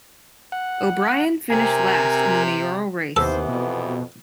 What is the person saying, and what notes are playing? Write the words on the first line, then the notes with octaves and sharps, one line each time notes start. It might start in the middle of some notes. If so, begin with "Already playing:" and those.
O'Brien finished last in the mayoral race.
F#5
C3 A#4 G#5
D#2 C3 E3 B3 A4 C5
F2 B2